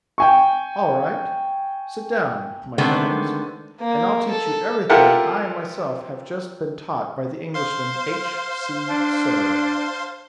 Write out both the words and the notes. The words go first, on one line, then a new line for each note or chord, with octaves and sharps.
"All right, sit down, my friends, and I'll teach you everything I myself have just been taught by the Englishman H. C. Sirr!"
G5 G#5 C#6
D3 D#3 G#3 A3 B3 C4
A#3
A4
E4 F4 G4 A4 A#4 F#5
C5 F5 C6
D4